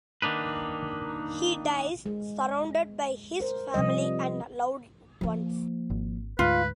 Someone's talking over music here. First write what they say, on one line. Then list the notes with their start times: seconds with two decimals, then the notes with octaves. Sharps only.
He dies surrounded by his family and loved ones.
0.22 D#3 A#3 D4 D#4 B4
2.06 G#3
3.40 A#4 C5
3.74 C3 F3 G3 D#5
5.21 F3 A#3
5.90 G#1
6.39 D2 G#2 F4 B4